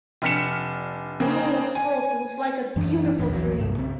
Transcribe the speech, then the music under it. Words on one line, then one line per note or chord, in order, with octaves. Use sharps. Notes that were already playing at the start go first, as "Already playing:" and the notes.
Oh, Hope, it was like a beautiful dream!
F1 D4 F6 B6 C#7 E7
C#3 A#3 C4
G#5
F#2 E3 A3 D4
G1 E2 A2 D3
A#1 E2 D#3 F#3
C2 G2 A#2
C#3 C4